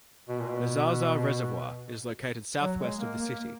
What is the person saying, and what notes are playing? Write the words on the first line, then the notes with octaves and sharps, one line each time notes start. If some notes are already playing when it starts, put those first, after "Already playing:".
The Zaza Reservoir is located southwest of the city.
B2
A#2
B2
F#3
G#3
A#3
A#3